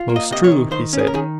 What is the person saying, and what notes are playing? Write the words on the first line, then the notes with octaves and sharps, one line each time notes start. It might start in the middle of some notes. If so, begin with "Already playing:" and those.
Most true, he said.
Already playing: F4
A#3
D#5
C3 D#5
C#5
D#3
D#3 C5
C#4
G#4
A#4
D#3 G#4